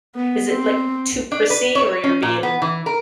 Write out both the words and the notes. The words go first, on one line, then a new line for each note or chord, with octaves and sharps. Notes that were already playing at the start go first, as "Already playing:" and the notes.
is it, like, too prissy or you're being
B3
C4
D4
B4
C#5
C#4
A#2
B3
E3
A#4